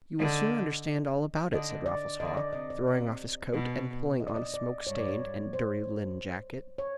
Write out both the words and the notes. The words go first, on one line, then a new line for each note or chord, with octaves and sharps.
"You will soon understand all about it," said Raffles Haw, throwing off his coat, and pulling on a smoke-stained and dirty linen jacket.
D3 D#5
D3 D#5
D5
D3 D#5
D5
C3 D#5
D5
C3
B2
D#5
D5
D#5
D5
G2 C#5
D5
C#5
C5
C#5